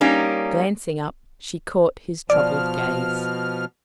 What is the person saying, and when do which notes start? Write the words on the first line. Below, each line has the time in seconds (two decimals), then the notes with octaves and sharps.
Glancing up, she caught his troubled gaze.
0.01 G3 A#3 C#4 D#4
2.30 B2 F3 D5 F6